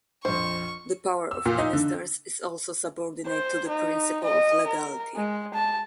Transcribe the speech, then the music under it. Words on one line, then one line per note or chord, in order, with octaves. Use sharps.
The power of ministers is also subordinate to the principle of legality.
A#1 F2 C5 C#6
E6
A#2
D#4
D3
C5
D#4
D#5
A#4
G#3
A5